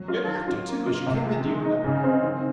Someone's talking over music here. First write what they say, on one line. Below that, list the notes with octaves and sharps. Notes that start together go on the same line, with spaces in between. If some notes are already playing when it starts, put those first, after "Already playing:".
Your laughter, too, as you came in, do you remember?
Already playing: F#3
F4
D#3
F4
A#3
F4
C3
G#3
D#3
D#4
C#3
C4
D#3